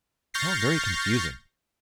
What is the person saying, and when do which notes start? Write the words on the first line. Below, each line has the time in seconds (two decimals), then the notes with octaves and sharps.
How very confusing!
0.34 C#6 F6 G6 A6 A#6 C7